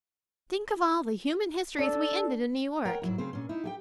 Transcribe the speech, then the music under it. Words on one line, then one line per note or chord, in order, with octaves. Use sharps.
Think of all the human histories we ended in New York!...
D4 A4
A#4 C#5 F#5 G5 A#5
G#2 F#3 E4
C#3 C4 C5
A#2 C#4
D#4 E4
G4 G#4 G5